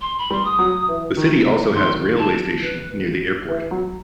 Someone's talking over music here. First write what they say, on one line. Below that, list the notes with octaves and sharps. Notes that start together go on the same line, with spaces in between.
The city also has railway station near the airport.
C6
B5
G3 C6
D#6
F#3
E3
D#3
C3
D#3 C6
A5
B4
E3
F#3